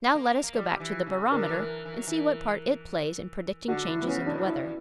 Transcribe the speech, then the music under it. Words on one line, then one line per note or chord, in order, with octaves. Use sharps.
Now let us go back to the barometer and see what part it plays in predicting changes in the weather.
A#3
A#3
G3
E3
C#3
D3 A#4
G3
F#3
E3
E3
F#3
E3
D3 F#4
E4
B3
C#3 C#4
D4
B2
A#2
G2 E4